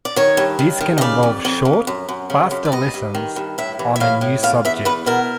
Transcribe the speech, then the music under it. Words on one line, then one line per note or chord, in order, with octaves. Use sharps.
These can involve short, faster lessons on a new subject.
D5
D#3 C#5
G2
D#3
D#3
D#5
C#3 D5
F2
F2
F2
F#2
F#2
C#3
F#2
D5
G2 D#5
G2
D#3
G2
A2 E5
E3
E5
A2 F5
A2
E2 F5
E2 E5
E2 B4
B2 A#4